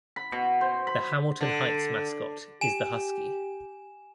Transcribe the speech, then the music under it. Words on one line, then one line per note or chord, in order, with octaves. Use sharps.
The Hamilton Heights mascot is the husky.
B5
B2
C5
B5
D3
G4 G#5 E7